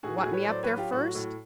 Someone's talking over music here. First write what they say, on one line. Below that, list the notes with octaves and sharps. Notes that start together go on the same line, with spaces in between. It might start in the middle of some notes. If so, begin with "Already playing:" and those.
"Want me up there first?"
A2 F#4 G#4
F#4 G#4
A2
B4 C#5
F#3 C5 D5
B4 C#5
F#3
F4 G4
A2 F#4
A2